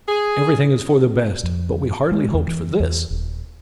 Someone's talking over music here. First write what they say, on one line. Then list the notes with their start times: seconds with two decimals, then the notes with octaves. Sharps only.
Everything is for the best, but we hardly hoped for this!
0.08 G#4
1.43 F2
2.12 G#3
2.34 E2
2.48 E3
2.80 E2
3.11 D#1